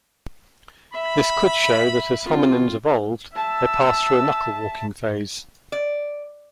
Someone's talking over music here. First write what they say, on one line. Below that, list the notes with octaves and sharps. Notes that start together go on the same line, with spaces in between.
This could show that as hominins evolved, they passed through a knuckle-walking phase.
E5 B5
C4 F4
E5 A5 E6
D5